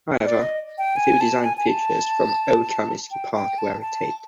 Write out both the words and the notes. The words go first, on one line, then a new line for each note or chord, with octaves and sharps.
However, a few design features from old Comiskey Park were retained.
D5
D#5
G5
G#5
A5
G#5
G#5
A5
G5
G5
A5
A5